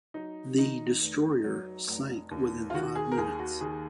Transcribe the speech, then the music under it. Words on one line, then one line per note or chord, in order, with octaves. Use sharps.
The destroyer sank within five minutes.
F#3 D#4
D#3 D#4
F1
F#3
F1
D#2
F4
D#3 F#4
G#4
A#4
D#2 G#4
F#4
D#3 G#4